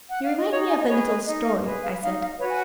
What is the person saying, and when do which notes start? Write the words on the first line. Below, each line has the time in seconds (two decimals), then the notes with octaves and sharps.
"You remind me of a little story," I said.
0.09 F#5
0.23 F5
0.36 D#5
0.50 D#4 C#5
0.69 G#5
0.80 D#5
0.88 G#4 B4 C#5
1.07 D#5
1.26 D#4 D#5
1.45 F5
1.64 G#4 B4
1.82 F5
2.01 D#4 F5
2.20 F5
2.39 F#4 B4 C#5
2.49 G#5